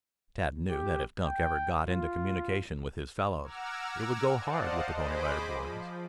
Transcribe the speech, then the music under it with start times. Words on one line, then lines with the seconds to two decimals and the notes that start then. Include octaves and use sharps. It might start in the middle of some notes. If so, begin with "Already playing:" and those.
Tad knew that if Dunk ever got into communication with his fellows it would go hard with the Pony Rider Boys.
0.70 G4
1.24 G5
1.87 F4
3.43 F#5 A#5 D6 E6 F6 G#6
4.38 C5 D5 D#5 F5 F#5 A5
4.93 G#4 C5 D#5 B5 D6
5.49 F3